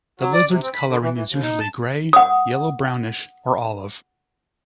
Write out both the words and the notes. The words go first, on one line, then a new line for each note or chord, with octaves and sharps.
The lizard's coloring is usually gray, yellow-brownish, or olive.
F#3
D5
C3
C4
B5
D3
E3
E3
D#2
D#4
A5
F#5 D#6